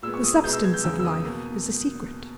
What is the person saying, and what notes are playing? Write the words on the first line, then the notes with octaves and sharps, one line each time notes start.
The substance of life is a secret.
A#2 G#3 B3 E6
C#6
D#6
E6
B2 G#3 B3 G6
E6
G#6
G6
E2 C#3 G#3 B3 E6
E6
D#6
B2 A#3